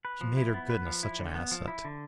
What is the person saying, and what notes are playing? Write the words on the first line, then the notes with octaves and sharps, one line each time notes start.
She made her goodness such an asset.
B4
F3
E4
B3
B4
F3
E4
D3
B3
F3
E4
D3